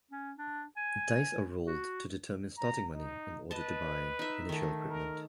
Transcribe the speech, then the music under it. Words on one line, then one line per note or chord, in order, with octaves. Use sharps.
Dice are rolled to determine starting money in order to buy initial equipment.
C#4
D4
G#5
F#4
A#5
D#4
B4 D#5 A5
D#4 E5
D#3 A3
A#4